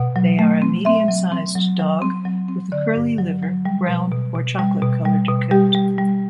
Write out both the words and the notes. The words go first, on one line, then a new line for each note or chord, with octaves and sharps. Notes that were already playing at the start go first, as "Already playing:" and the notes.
They are a medium-sized dog, with a curly liver, brown, or chocolate colored coat.
Already playing: B2 F#5
F#3
A3
C4
C4 E5
F#3
C4
F#3
F#3
C4
F#3
C4
D3 D5
G2
F#3
F#3
G3
B2
B2
B2
G3
B2
G3
B2
G3 G4
G3
G3